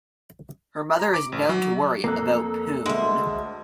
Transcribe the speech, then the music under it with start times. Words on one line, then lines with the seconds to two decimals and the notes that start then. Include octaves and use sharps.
Her mother is known to worry about Poon.
0.99 A#5
1.14 D6
1.32 A1
1.49 F#3
2.04 F2 A#3 A4 A#5 F#6
2.86 D2 G#3 E5